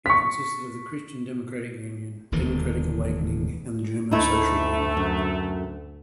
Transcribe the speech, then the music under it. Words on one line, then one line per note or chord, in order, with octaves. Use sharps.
It consisted of the Christian Democratic Union, Democratic Awakening and the German Social Union.
C#6 B6
E1 D#2 D3 E3
D2 A3 D#4 E4
F#2